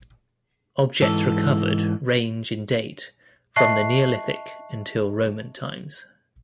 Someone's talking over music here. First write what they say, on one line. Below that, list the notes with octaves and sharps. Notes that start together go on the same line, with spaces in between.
Objects recovered range in date from the Neolithic until Roman times.
G#2 E3 A4
D#5 E5 A5 C#6 F#6 C7